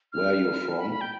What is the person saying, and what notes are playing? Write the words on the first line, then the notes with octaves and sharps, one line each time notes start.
Where you from?
F6
B5
B5
G5